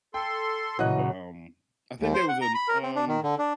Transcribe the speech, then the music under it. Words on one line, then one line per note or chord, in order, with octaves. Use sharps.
But, um, I think there was an, um
A4 G5 C6
A#2 C#3 E3 F#3 D#5 F#6
D#2
C5
F#5
A#5
B5
A#4
C4
D4
D#3
D3
D4